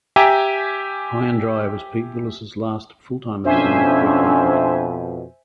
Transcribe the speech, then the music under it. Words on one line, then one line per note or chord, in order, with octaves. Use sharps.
"High 'n' Dry" was Pete Willis' last full-time album with Def Leppard.
G4 E5 G5 G#5 A#5 D6
F2 B2 C#4 D4 C5 E5 G#5